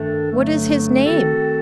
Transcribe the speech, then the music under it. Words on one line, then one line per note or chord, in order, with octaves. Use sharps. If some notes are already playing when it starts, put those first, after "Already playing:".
"What is his name?"
Already playing: G2 D#3 A3 D4 A4
G2 D3 F#3 A3
D#3 A3 C4 F#4 A4